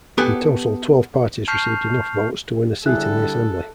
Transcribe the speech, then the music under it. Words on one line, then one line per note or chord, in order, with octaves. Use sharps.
In total, twelve parties received enough votes to win a seat in the assembly.
B3 G4 A4 F#5 G#5
A5 C#6 F6 G6 C7 F7
D3 G3 E4 G#4 A4 F#6